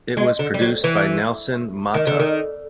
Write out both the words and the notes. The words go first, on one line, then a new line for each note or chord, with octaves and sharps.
It was produced by Nelson Motta.
G#3
D3
G3
F#3
E3
D#3
D3
D#3